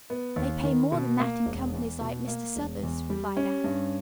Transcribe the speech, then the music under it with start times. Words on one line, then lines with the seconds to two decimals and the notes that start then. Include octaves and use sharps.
"They pay more than that in companies like Mr. Southard's," replied Anne.
0.10 B3
0.36 D#2
0.64 D#3
0.92 B2
1.19 A#3
1.46 E1
1.74 E2
2.01 B2
2.28 A#3
2.56 E1
2.83 E2
3.10 G3
3.37 C#4
3.64 G2